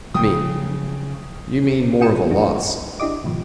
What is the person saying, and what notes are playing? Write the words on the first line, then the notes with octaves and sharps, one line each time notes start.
ME: You mean more of a loss.
C#3 F3 F#3 A3 G5 D#6
B3 F4 G5 D#6 C#7 E7
C2 F#2 F3 D4 F#4
G#1 D4 E4 G4 D#5 D6
G#2 B2 D#3 F3